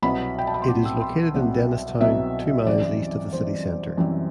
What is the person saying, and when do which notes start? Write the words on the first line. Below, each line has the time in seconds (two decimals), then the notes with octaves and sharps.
It is located in Dennistoun, two miles east of the city centre.
0.02 C2 B2 F#3 B3 B5
0.39 G5
0.47 A5
0.54 B5
0.62 C6
0.68 C2 B2 F#3 B3 D6
0.86 E6
1.01 C6
1.34 C2 B2 F#3 B3 F#5
2.01 C2 B2 F#3 B3 E5
2.66 F#2 E3 G3 C4 D5
3.32 F#2 E3 G3 C4 C5
3.97 F#2 E3 G3 C4